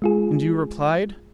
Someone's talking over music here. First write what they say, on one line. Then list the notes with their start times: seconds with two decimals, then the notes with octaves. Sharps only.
"And you replied?"
0.02 G#3 F4 G#4